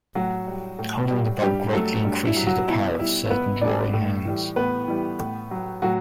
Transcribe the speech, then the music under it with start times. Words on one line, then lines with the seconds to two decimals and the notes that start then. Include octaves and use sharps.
Holding the bug greatly increases the power of certain drawing hands.
0.15 A2 F#3 F#4
0.47 G3
0.79 A2
1.10 G3
1.42 G2 G3 G4
1.73 F#3 A3 A4
2.05 G2
2.25 E4
2.36 F#3
2.47 F#3 F#4
2.68 B2 E4
2.99 G3 E4
3.30 B2 B3 B4
3.61 G3 D4 D5
3.93 A2
4.25 E3 G3
4.56 A2 B3 B4
4.88 E3 G3
5.20 A2
5.51 F#3
5.82 A2 F#3 F#4